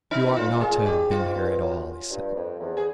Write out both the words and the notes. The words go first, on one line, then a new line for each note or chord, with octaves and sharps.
"You ought not to have been here at all," he said.
D#4
B2
A#2
A2 F4
A#2
A#2 G#4
G#2
G4
F4
G#2
G2
F#2
G2
F2
E2
G#4